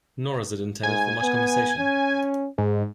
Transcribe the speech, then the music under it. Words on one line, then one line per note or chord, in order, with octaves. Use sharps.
Nor is it intended for much conversation.
G#2 G#5
B3
C#4
G#2